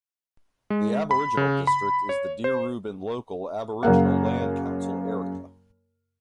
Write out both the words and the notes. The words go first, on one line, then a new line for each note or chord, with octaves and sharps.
The Aboriginal district is the Deerubbin Local Aboriginal Land Council Area.
G#3
B5
C#3
B5
C#5
C5
F#2 C#3 A#3 F#5